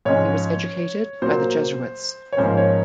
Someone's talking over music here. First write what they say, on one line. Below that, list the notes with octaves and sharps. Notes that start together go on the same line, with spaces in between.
He was educated by the Jesuits.
G#2 F3 G#3 C#4 C#5
A#2 F#3 A#3 C5
C#5
G#2 F3 A#3 C#4 C5
C#5